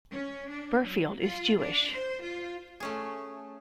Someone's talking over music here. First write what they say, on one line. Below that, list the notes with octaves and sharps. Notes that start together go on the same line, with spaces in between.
Berfield is Jewish.
C#4
D4
F#3
F4
D4
C5
F4
A3 C#4 G#4